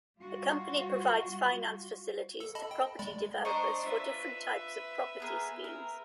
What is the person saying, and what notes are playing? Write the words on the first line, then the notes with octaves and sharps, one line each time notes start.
The company provides finance facilities to property developers for different types of property schemes.
G3 F4 F#4
A4
D#5 A5 B5
G5
G#3 D5 B5
D4 C5 D#5 A#5 C#6
F4 B4 E5
B3 G#4 A#4
A#4